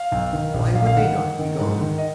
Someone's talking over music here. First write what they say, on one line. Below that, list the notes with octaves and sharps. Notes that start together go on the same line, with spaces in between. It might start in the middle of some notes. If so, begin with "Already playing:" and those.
Why would they not be gone?
Already playing: F5
B1
D#3
A#1
A#1 F5
F5
D#3 F#5
D#3
D#3
G#2
D#3
D#5